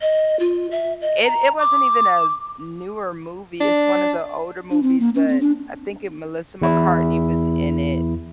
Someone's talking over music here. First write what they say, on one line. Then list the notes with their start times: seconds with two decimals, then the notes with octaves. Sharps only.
It it wasn't even a newer movie, it's one of the older movies, but I think it Melissa McCartney was in it,
0.01 D#5
0.40 F4
0.71 E5
1.01 D#5
1.24 A#5
1.59 D6
3.61 D4
4.71 D4
4.83 C4
5.00 A#3
5.15 C#4
5.28 C4
5.41 D4
6.62 E2 E4